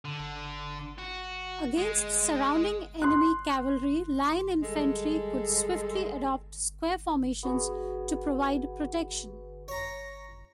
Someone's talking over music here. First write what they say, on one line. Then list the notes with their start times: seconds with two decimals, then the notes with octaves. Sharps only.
Against surrounding enemy cavalry, line infantry could swiftly adopt square formations to provide protection.
0.05 D3
0.98 F#4
1.78 G#3
3.02 C6 F#6
4.63 G3 G#3 A4
7.43 B3 F#4 G#4
9.68 C#5 A#5